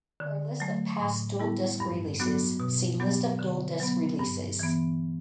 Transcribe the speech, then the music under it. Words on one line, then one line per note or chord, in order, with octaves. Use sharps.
For a list of past DualDisc releases, see "List of DualDisc releases".
D3
F#3 A3
A2
G3 B3 E4
G2
F#3 B3 D4 F#4
B2
F#3 B3 D4 G4
D3
F#3 B3
G2
E3 B3